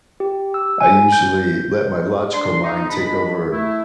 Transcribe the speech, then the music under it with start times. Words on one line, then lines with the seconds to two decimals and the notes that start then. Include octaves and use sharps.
I usually let my logical mind take over
0.20 G4
0.54 E6
0.80 G#5
1.12 G6
2.33 D4 C6
2.63 D#4
2.89 G#3 D4 D#5 B5
3.51 A3 E4